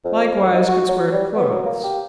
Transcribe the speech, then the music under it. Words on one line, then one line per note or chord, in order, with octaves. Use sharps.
Likewise could swear to clothes.
F2
D#2
D#4
F#4
F#3
G3
B3
F#3
A#3
G4